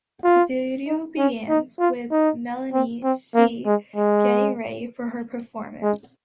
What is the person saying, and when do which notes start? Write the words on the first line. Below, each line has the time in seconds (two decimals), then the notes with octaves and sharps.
The video begins with Melanie C getting ready for her performance.
0.24 F4
0.87 D#4
1.18 C#4
1.49 D#4
1.79 F4
2.11 D#4
2.73 C4
3.03 C4
3.35 A#3
3.66 G#3
3.96 G#3
5.82 G#3